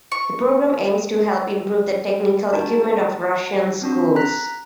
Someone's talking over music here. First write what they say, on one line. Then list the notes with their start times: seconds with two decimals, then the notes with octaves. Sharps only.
The program aims to help improve the technical equipment of Russian schools.
0.12 C#6
2.53 D#4 F#4 A5
3.82 C4 D4 F#4
4.16 A#5 F#6 B6